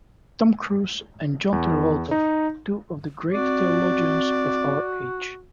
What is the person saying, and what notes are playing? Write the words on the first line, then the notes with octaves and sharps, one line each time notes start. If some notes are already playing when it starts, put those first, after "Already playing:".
Tom Cruise and John Travolta - two of the great theologians of our age.
E2
D#4
C4 F#4 D5